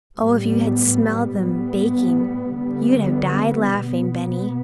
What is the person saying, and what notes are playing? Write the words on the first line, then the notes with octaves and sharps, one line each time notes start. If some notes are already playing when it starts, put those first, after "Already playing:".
Oh, if you had smelled them baking you'd have died laughing, Benny.
A2 G3 B3
A2 G3 B3
D3 G3 B3
B2 B3